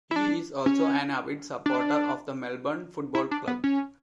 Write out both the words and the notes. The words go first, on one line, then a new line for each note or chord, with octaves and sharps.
He is also an avid supporter of the Melbourne Football Club.
E4
D4
C#4
D4
E4
D4
B3
C#4